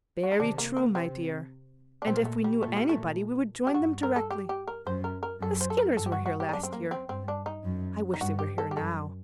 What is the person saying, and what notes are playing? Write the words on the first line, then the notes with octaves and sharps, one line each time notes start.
"Very true, my dear; and if we knew anybody we would join them directly. The Skinners were here last year--I wish they were here now."
F#4
D#4
C3 D#3 D4
A#3
A#3
C3 C4
D4
A#2 C4
A#3
A3
G3
A#2 A3
G3
A3
G4
G2 F#4
A#4
A4
G4
G4
A#4
F#2 C5
A#4
A#4
F#2 A4
C5
A4
A#4
G2 A4
G4
F#4
F#4
G4
D#4
F#2 D4
C4
A#3
C4
G2 C4
D4
D#4
F#2
D#4
G2 F#4
G4
A4
G4
F#2 A4